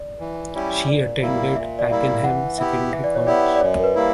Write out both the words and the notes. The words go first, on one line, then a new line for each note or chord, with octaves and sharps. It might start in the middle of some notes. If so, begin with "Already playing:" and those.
She attended Pakenham Secondary College.
Already playing: D5
E3
G3 C#4 E4 G4
A#2 D5
G3 A#3 E4
A#2 E5
D5
G3 A#3 E4 E5
E3 F#5
B3 E4 G4 E5
E3 E5
D5
C#5
B3 E4 G4 D5
D5
F#2 C#5
A#4
B4
G3 A#3 E4